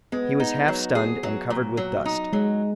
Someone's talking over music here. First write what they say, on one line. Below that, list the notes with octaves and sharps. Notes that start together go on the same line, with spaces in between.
He was half stunned and covered with dust.
G#3 B3
D#4
F#3
G#4
F#3
A#2
F#3
D#4
F#3 G#3